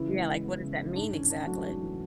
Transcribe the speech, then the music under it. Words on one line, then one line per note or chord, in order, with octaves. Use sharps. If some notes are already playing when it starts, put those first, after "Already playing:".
Yeah, like what does that mean exactly?
Already playing: C#3 E3 E4
G#3
C#3
B3
C#3
G#3
G#2 D4
E3 C#4
G#2 D4
F#3 A3 F#4
G#2
E3